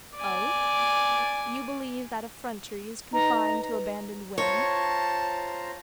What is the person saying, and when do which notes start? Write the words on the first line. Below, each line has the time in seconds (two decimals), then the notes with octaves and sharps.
Oh! you believe that effrontery is confined to abandoned women?
0.17 D5 G#5
3.13 D#4 B4 A#5
4.38 F4 C5 C#5 A5 A#5